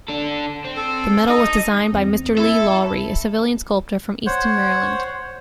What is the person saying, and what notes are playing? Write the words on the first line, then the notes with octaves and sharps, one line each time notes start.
The medal was designed by Mr. Lee Lawrie, a civilian sculptor from Easton, Maryland.
D4 A4
C4
A4
D#4 D#5
E2 C4
E4 A4
C5 C#5 F#5